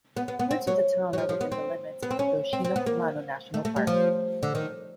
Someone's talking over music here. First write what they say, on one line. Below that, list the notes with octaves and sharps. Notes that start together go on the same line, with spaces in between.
Parts of the town are within the limits of the Yoshino-Kumano National Park.
B3
B3
B3
C4
F#3
F#3
F3
F3
B3
C4
B3
C4
C#4
C4
C4
B3
A#3
A3
A3
G3
F3
D3
D#3